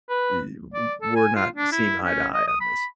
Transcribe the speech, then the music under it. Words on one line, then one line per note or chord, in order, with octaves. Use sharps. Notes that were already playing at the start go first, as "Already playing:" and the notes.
ye w we're not seeing eye to eye on this?
B4
D5
A4
G#5
F4
D4
E4
C#4
D#5
D#6
B5